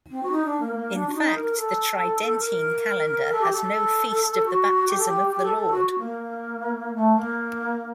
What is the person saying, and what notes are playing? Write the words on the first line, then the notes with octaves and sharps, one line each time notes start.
In fact, the Tridentine Calendar has no feast of the Baptism of the Lord.
C4
F#4
D#4
D4
A#3
A#3
D4
F#4
D#4
A#4
A4
A#4
A#4
A4
G4
A4
F#4
G4
A4
G4
G4
A4
A4
F#4
F#4
A#3
A3
A#3